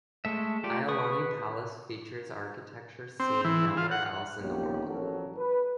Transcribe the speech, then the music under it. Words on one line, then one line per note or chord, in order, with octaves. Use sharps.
Iolani Palace features architecture seen nowhere else in the world.
G#3 A3 E5
A3 F4 G4 D5
B4 C#6 D#6
C4
E3
F4
F#5
A#1 A#3 B3 C#4 D#4 G4
A1 F3 F#3 F#4 A4 A#4
B4